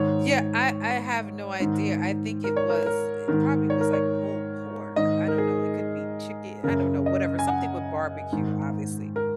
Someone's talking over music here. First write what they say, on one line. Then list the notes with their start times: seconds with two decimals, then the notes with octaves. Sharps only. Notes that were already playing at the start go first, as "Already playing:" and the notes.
Yeah, I I have no idea, I think it was it probably was, like, pulled pork, I don't know, it could be chicken, I don't know whatever something with barbecue, obviously.
Already playing: G#2 D#3 C#5
1.60 G#2 D#3
2.44 A#4
2.56 C#5
2.70 A#4
2.86 A#4
3.28 G#2 D#3 A#4
3.70 C#5
3.81 A#4
3.93 C#5
4.96 G#2 D#3 D#5
5.28 A#4
5.38 G#4
6.64 F#2 C#3 A#4
7.06 D#5
7.39 G#5
7.48 F#5
8.32 G#2 D#3
9.16 A#4